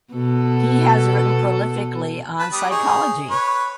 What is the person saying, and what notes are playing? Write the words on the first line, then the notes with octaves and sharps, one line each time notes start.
He has written prolifically on psychology.
B2 B3 A4
B4 A5
G3 D#6
D#4 G#4 C#5
B4 C#5